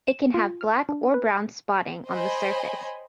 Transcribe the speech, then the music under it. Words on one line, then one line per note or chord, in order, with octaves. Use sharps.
It can have black or brown spotting on the surface.
E7
F4
F6
D4
B4
C5 C#5 D#5 G5 G#5 B5